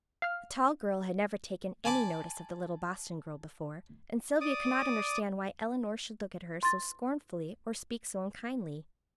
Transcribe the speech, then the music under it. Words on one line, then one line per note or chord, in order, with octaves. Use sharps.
The tall girl had never taken any notice of the little Boston girl before, and Sylvia could not understand why Elinor should look at her so scornfully or speak so unkindly.
F5 F6
G#5 A5 B5 D6
D5 D6 D#6
C6 A6